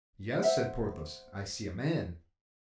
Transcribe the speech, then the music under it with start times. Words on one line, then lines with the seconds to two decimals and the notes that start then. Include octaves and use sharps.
"Yes," said Porthos; "I see a man."
0.42 C5 E5 F#5